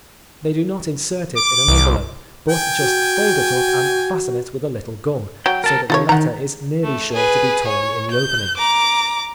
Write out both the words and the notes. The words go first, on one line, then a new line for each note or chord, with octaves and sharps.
They do not insert it in an envelope, but just fold it up and fasten it with a little gum, so that the letter is nearly sure to be torn in the opening.
D6
C2
G5 G#5
F#4
F#3 G5
A#4 A5
D#3 F4 A4 C#5
D#3 F#5 A#5
A3
G#4 B4
C#5
G6
A#5 D6